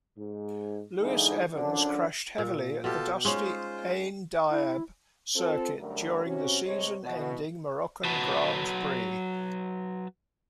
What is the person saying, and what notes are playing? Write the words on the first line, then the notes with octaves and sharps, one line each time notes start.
Lewis-Evans crashed heavily at the dusty Ain-Diab circuit during the season-ending Moroccan Grand Prix.
G#2
G#2 D3 E3 D#4 E4 G#4
F#2 D3 F3 D4
A#2
B2 F4 G4 A4
G#3 C#4 D#4 F4 C5
E4
C4 F4 A4
F#2 D3 F#3 G3 A3 A#4
C3 C#4 F#4
G2 C3 G#3 C#5
B2 E3
F#3 F#4 B4 A5